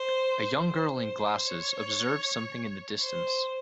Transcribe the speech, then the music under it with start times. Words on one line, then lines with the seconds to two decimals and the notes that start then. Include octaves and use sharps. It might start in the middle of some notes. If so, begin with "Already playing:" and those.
A young girl in glasses observes something in the distance.
Already playing: C5
0.42 C5
0.94 C5
1.46 C#5
3.01 C5